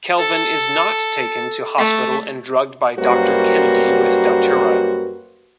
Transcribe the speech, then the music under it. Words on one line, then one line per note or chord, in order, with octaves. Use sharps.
Kelvin is not taken to hospital and drugged by Doctor Kennedy with Datura.
A4
A3
F#2 G3 A#3 F#4 B4 C5